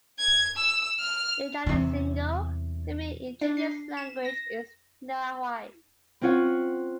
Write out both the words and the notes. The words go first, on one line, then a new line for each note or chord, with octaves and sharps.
In Jalacingo the main indigenous language is Nahuatl.
G#6
E6
F6
E2 C3
D4
C7
E7
A#6
C4 C#4 F4 C#5 F#5